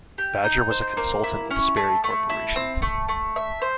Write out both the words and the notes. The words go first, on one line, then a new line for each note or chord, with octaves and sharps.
Badger was a consultant with Sperry Corporation.
G4
D#4
C5
A#3
E4
C#4
A3
A3
E4
C4
A3
A3
E5
C5